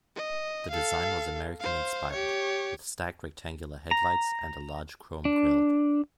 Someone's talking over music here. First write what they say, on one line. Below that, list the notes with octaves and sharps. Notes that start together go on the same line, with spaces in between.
The design was American-inspired, with stacked rectangular headlights and a large chrome grille.
D#5
A4 F5
C5 F5
G4 C#5
A#5
D4